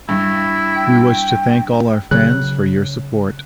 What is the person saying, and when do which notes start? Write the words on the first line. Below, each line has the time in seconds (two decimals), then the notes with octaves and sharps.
We wish to thank all our fans for your support.
0.09 G2 E4
0.75 G5
2.11 C#3 F#3 F#6